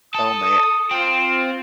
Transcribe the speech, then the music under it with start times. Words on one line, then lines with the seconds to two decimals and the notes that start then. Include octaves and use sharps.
oh, man.
0.15 A4 D#6
0.91 C4 F4